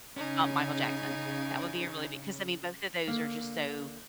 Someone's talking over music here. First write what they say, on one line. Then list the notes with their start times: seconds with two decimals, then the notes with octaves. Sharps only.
ho uh, Michael Jackson. That would be a really big 'cause I mean, both of those are just so
0.16 C#3 C#4 D#4 G#5
3.07 D3 A#3